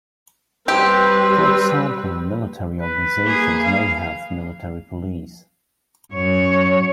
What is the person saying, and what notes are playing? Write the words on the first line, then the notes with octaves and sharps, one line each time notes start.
For example, military organizations may have military police.
G3 C4 G4 B4
B4
A#3 G#4
F5
F#2 C#5